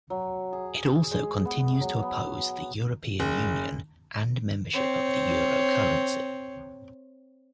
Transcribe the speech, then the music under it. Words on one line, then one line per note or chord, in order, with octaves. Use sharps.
It also continues to oppose the European Union and membership of the euro currency.
F#3
G#4
G#3
B3
F#3
B3
F#1
C4 C#5